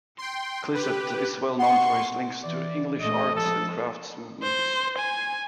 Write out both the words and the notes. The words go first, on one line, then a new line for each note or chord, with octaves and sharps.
Clissett is well known for his links to the English Arts and Crafts Movement.
G5 C6
G4 B4
F#5 C6 C#6
E3 D5
A#2 A3 D#5
F3 G#3 A4
C5
G#5